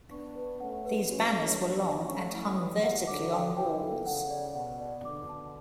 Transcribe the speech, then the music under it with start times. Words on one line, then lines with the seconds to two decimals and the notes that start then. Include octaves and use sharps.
These banners were long and hung vertically on walls.
0.10 B3 D4 C#6
0.35 B4
0.60 A3 C#4 F#5
0.85 B4
1.10 A3 C#4 F#4
1.34 F#4
1.59 B3 D4 F#4
1.84 D5
2.08 A3 C#4 C#6
2.34 E4
2.58 E3 G3 B4
2.82 F#5
3.07 D3 F#3 D6
3.32 G5
3.56 C#3 E3 G5
3.81 A4
4.06 C#3 F#5
4.30 D5
4.55 B2 F#5
4.80 D5
5.04 B2 D3 D6
5.29 A5